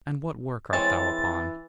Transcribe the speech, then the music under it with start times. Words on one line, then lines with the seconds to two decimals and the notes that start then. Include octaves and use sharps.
'And what work art thou upon?'
0.73 E3 G#3 C4 C#5 A6